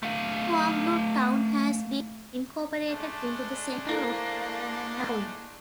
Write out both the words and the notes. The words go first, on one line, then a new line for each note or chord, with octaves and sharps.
Huanglu Town has been incorporated into the center of Nanhui.
A3 F5
G#3 A3 D4
A#3 E4 A4 C5